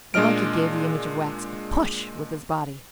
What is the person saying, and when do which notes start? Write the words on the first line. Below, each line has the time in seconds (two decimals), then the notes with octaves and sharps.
The monkey gave the image of wax a push with his body.
0.14 A#2 G#3 D4 D#5 F6 D7